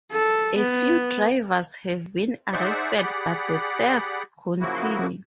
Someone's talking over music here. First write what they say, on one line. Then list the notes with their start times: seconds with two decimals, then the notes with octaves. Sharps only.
A few drivers have been arrested but the thefts continue.
0.12 A4
0.58 B3
2.52 D#4 G#4 C5 D5 E5 F#5
2.97 G4 G#4 D5 F#5 B5
4.60 C#3 F3 F#3 A#3 E4 F#4